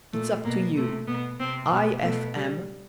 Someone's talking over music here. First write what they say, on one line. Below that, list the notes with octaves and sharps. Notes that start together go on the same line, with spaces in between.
It's up to you. I.f.M.
A#2 A3
B2 A#3
C3 A3
B2 B3
C3 C4
B2
B2 A3
G3